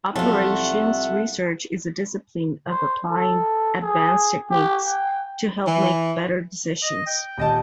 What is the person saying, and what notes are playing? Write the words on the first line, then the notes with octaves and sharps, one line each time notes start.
Operations research is a discipline of applying advanced techniques to help make better decisions.
C2 F3 F#3 A3 F4 F#5
C5
A4
G#4
G4
G5
E3
D#5
G5
D#1 D#5 A5